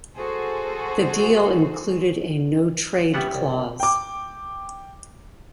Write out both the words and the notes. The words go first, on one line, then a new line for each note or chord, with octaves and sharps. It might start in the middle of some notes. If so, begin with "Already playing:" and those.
The deal included a no-trade clause.
F#4 G#4 A4 C5
G3 B3 C#4 G4 E5 F#5
C2
G5 D6